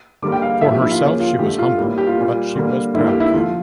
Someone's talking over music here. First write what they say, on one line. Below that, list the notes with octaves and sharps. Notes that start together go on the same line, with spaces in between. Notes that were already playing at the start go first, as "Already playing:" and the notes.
For herself she was humbled; but she was proud of him.
D3 G3 A#3 D6
G5
F5
A2 F3 A#3 E5
G4
E4
F4
C#3 F3 A#3 C#5
F4
D3 A3 G4
F4
A2 G3 A#3
G4
F4
A#2 G3 A#3
D3 G3 A#3
D3 G3 A#3 E4
G4
E4
D3 F3 A3 F4